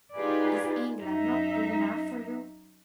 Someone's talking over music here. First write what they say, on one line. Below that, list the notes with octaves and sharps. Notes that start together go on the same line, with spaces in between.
"Is England not good enough for you?"
D#4 F4 G4 G#4 B4 D5
F#2 D#4 E5